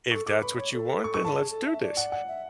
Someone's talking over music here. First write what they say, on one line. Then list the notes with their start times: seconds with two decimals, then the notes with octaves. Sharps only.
if that's what you want, then let's do this,"
0.06 B4
0.12 A4 C#6
0.27 A4 D6
0.42 B4 B5
0.57 C#5
0.73 A4
1.04 C#6
1.14 C#6
1.25 A5
1.35 G#4
1.51 A4
1.66 E5
1.81 D5
1.97 F#5
2.12 F#5
2.28 E5